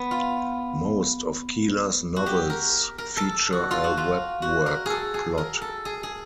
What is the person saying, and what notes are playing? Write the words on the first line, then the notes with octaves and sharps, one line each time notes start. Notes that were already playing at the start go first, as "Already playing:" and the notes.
Most of Keeler's novels feature a webwork plot.
Already playing: B3
F4
F#4
G4
A#4
A#4
A4
F#4
F4
F#4
F4
F#4
A#4
G#4 A4
G#4
A#4
A4
G#4
G#4